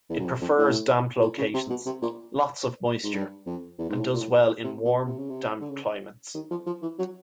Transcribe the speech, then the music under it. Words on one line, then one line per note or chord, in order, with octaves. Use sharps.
It prefers damp locations, lots of moisture, and does well in warm, damp climates.
E2
F#2
F2
F2
A2
A#2
C#3
C3
B2
C3
A#2
G#2
G2
F2
E2
G#2
A2
A#2
A2
C3
B2
C3
C#3
C3
D3
C#3
D#3
F3
F3
E3
F#3